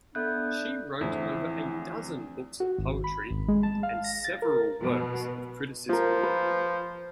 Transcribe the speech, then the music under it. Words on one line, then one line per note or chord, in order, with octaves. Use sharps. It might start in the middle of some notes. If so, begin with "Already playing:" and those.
She wrote over a dozen books of poetry and several works of criticism.
B3 D4 A4 E5 F#6 G6
E2 A2 D3 F3 C4 E4
F#4
G#1
B5
G#1
G#3
A5
F5
A#6
A6
A#4
B2
F3 F4 A#4
B4